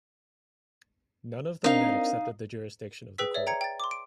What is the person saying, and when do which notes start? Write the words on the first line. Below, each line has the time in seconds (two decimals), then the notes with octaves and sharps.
None of the men accepted the jurisdiction of the court.
1.64 C4 D4 D#4 A#4 F5
3.18 G#4 B4 G5 E6 B6
3.34 C#5 D5 E5
3.47 G5 A#5 G#6 C#7
3.61 G5 A6
3.80 C6 D6
3.91 D7